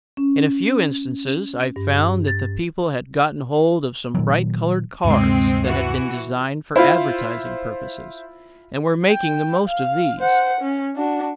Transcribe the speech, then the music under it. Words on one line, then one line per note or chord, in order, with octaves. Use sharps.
In a few instances I found that the people had gotten hold of some bright-coloured cards that had been designed for advertising purposes, and were making the most of these.
C#4
G2
A6
A#2 D#3 F#3
D2 G2 C3 G#3 C4
E3 F#4
E4 F4 C5 E5
G5
F5
C5 F#5
C#4
D4 F#4